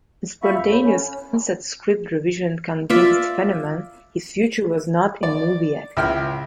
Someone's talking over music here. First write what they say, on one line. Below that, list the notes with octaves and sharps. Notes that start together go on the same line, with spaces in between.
A spontaneous on-set script revision convinced Fenneman his future was not in movie acting.
F4 E5 F5 B5 C#6
F2 B5
A4 C#5 B5
C#4 C#5
F4 D5 E5
D5
C#2 E4 G5 F6